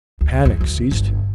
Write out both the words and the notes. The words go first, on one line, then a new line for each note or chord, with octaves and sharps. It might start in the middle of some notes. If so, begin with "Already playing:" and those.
Panic seized him.
D2
E2
D2
G1